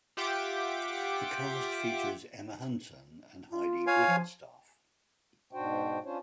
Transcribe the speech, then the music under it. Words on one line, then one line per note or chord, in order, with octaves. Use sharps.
The cast features Emma Hunton and Heidi Blickenstaff.
F4 G4 E5 F#5 G5 D6
F4
C#5 F5 G#5
F3
G#2 B2 D4 F#4 C5 G5
C#4 D4 F4 C5 C#5